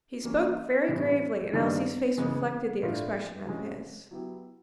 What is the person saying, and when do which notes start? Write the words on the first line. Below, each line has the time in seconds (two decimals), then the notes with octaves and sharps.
He spoke very gravely and Elsie's face reflected the expression of his.
0.24 E3 G3 A#3 C#4
0.88 A2 E3 G3 B3
1.53 G2 D#3 G#3 B3 D4
2.18 C#3 E3 G#3 B3
2.82 A2 F3 A3 D4 F4
3.46 C3 F3 G#3 C#4
4.11 F#3 B3 E4 G4